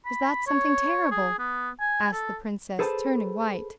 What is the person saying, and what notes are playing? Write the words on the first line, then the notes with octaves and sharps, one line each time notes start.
"Is that something terrible?" asked the princess, turning white.
B5
C#5
G#4
B3
G#5
A4
G#4 A4 B4 C5 G#5 A5